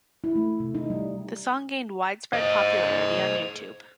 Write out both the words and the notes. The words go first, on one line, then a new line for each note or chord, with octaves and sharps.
The song gained widespread popularity on YouTube.
E4
A3
C3
D#4
G3
C5 D#5